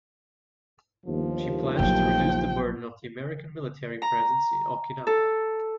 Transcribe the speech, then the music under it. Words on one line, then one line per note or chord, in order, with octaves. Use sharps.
She pledged to reduce the burden of the American military presence in Okinawa.
G1 D#2 F3
A#1 F#3 G5
A#5
A4